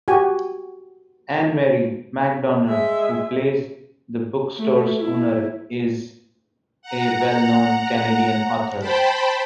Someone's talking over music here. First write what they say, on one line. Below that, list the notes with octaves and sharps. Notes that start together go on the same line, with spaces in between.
Ann-Marie MacDonald, who plays the bookstore's owner, is a well-known Canadian author.
F#4 G4 G#5
G#3 E5
A3
E4
F#5 A#5
C5 G5 A5 B5